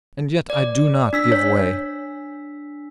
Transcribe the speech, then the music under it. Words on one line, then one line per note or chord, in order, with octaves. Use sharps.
And yet I do not give way.'
D5
D4 E6 B6
C#5